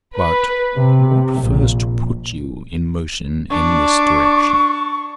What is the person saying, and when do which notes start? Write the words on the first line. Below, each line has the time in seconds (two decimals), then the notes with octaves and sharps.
"But what first put you in motion in this direction?"
0.15 B4
0.75 C3
1.42 A#1
3.50 D4 C#6